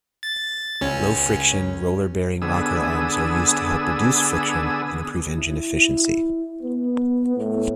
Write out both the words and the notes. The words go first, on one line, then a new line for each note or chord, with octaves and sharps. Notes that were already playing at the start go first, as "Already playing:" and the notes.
Low-friction, roller-bearing rocker arms are used to help reduce friction and improve engine efficiency.
A6
C#2 C#4
D3 B3 G#4 D#6 E6
E4
B3
A2